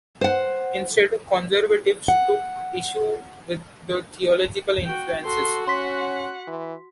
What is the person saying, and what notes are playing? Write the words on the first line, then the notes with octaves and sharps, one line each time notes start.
Instead, conservatives took issue with its theological influences.
C5 F#5
F#5
F#4 G5
F#4 A4 C6
C#4 F#5 C6 B6
E3